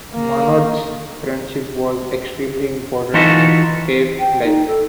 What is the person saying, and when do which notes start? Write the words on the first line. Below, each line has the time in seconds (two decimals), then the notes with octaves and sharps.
Monnot's friendship was extremely important in Piaf's life.
0.14 A#3
3.14 E3 D#4 F4 F#4 A4 E5
4.19 G5
4.43 D#4
4.66 A4